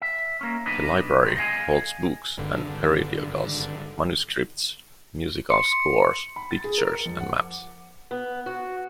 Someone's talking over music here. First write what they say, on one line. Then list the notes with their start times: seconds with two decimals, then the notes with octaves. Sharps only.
The library holds books and periodicals, manuscripts, musical scores, pictures and maps.
0.01 E5
0.41 A#3 C#4
0.66 B1 D4 B4 D#5
1.24 C3 D#3 G3
1.37 D#5 F5 G#5
2.38 G#1 G2 D3
5.50 C6 C#7
6.36 B5
6.51 A6
6.64 G#4
6.78 A#4
6.94 C#7
7.06 F2
7.20 F#5
7.34 D6
8.11 B3
8.46 F#4